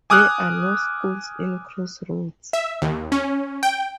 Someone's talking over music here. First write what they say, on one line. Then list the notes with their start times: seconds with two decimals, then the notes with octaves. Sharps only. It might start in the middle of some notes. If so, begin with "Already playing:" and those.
There are no schools in Crossroads.
0.10 G#5 D6 D#6 F6 F#6
2.53 E5
2.82 D#2
3.12 C#4
3.63 G5